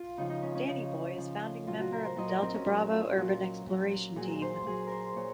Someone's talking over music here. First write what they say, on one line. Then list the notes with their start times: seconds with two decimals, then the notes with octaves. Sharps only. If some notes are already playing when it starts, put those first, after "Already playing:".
Danny Boy is founding member of the Delta Bravo Urban Exploration Team.
Already playing: F4
0.18 C#3 F3 D#4
0.30 D#4
0.42 C#4
0.55 C#4
0.67 C#3 F3 D#4
1.17 C#3 F3
1.67 A#2 F#3 F4
1.80 F#4
1.93 A#4
2.05 C5
2.16 A#2 F#3 D#5
2.29 A#4
2.42 C4
2.54 C#4
2.67 A#2 F#3
2.91 F4
3.16 A#2 F#3 F#4
3.66 A#2 F#3
4.16 A#2 F#3 G#4
4.42 C5
4.66 A#2 F#3 G#4
4.87 A#4
4.92 C5
5.16 A#2 C#5